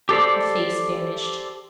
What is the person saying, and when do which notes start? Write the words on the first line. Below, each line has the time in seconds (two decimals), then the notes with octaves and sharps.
The face vanished.
0.09 G4 A4 C5 D5